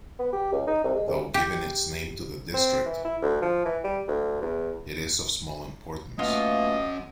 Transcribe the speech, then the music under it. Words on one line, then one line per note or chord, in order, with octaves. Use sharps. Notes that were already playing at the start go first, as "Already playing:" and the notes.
Though giving its name to the District, it is of small importance.
B3
G4
C#2
D#4
C2
G#3
C2
G4
C4
E3
E4
D2
F3
E3
G3
D2
E2
B2 A3 A#3 C#4 F4 D#5 F#5